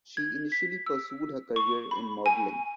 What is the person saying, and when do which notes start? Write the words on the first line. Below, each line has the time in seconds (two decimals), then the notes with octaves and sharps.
She initially pursued her career in modelling.
0.17 G#6
0.52 B6
0.86 E6
1.56 C#6
1.91 B5
2.26 G#5